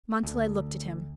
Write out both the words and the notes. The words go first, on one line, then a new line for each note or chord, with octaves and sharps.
Montalais looked at him.
D2